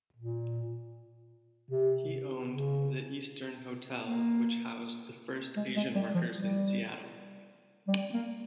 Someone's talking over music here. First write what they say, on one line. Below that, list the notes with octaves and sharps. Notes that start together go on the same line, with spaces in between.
He owned the Eastern Hotel which housed the first Asian workers in Seattle.
A#2
C3
C#3
A#3
G#3
G#3
G3
F3
G3
G3
A#3